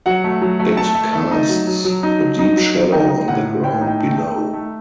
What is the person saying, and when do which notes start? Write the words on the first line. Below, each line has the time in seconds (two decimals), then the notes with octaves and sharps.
It casts a deep shadow on the ground below.
0.06 F#3 F#5
0.24 A3
0.42 F#3
0.60 A3
0.77 A3 A5
0.95 A3
1.13 A3
1.31 D#4
1.49 F#3
1.67 F#3
1.85 F#3
2.03 D#4
2.20 F#3
2.39 D#4
2.57 F#3
2.74 F#3
2.92 D#4 G5
3.10 D#4
3.28 A2 F#5
3.46 A2
3.63 A2 G5
3.81 D#4
3.87 G5
4.00 A3
4.11 G5
4.18 A3
4.35 D#4
4.54 A3